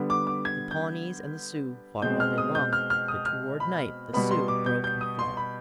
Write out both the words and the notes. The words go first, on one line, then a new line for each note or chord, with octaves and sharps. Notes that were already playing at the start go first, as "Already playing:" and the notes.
The Pawnees and Sioux fought all day long, but toward night the Sioux broke and fled.
Already playing: D3 G3 B3
D6
D6
G#6
G6
B2 G#3 C4 G6
F6
D#6
G6
F6
F6
D#6
F6
B5
B2 G3 B3 B5
C6
D6
G6
G6
D#6
C6
B5